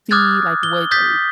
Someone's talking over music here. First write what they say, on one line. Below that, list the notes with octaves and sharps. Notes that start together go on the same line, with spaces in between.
see, like, what, uh,
D6 D#6 F6 F#6 G#6 A6
G7
D#6 G6 A6 B6